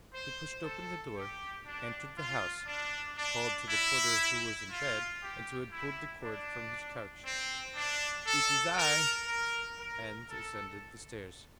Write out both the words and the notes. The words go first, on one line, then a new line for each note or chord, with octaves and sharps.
He pushed open the door, entered the house, called to the porter who was in bed and who had pulled the cord from his couch: "It is I!" and ascended the stairs.
C5
A4
G4
D4
F4
D4
D4
E4
F4
G4
E4
D4
C4
D4
A4
A#4
A#4
A#4
A4